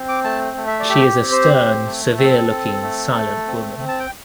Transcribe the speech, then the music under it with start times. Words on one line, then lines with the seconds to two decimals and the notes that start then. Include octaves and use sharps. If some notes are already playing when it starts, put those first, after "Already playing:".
She is a stern, severe-looking, silent woman.
Already playing: C4
0.09 D6
0.24 A3 A5
0.57 A3
0.67 E5
0.80 D5
0.89 G4 E5
1.21 C4
1.32 C5
1.53 G4
1.86 A3
2.18 C4 A4
2.50 C4
2.82 A3
3.15 A3
3.47 C4
3.79 C4
3.88 A5
3.99 G5